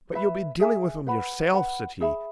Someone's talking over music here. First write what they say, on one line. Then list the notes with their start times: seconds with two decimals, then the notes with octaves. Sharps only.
"But you'll be dealing with him yourself!" said he.
0.13 B4 E5 B5
0.60 G#4 E5 G#5
1.07 B4 F#5 B5
1.53 B4 F#5 B5
2.01 G#4 E5 B5